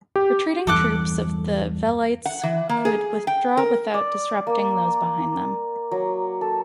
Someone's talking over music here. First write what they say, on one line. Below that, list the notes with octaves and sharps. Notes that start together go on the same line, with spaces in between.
Retreating troops of the "velites" could withdraw without disrupting those behind them.
G4
E2 G2 E3 A4 D6 F#6
F#5
E3
A#3
G#4
G5
A#4
D5
A#3
F#3
A4